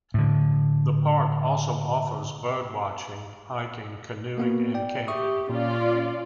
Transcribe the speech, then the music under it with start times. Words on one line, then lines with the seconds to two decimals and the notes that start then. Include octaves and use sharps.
The park also offers bird watching, hiking, canoeing, and camping.
0.14 A2 D3
4.38 A#3 B3 F#4
4.74 D5 G5
5.08 G4 E5 C#6 D#6
5.50 A#2 C#4 F4 D5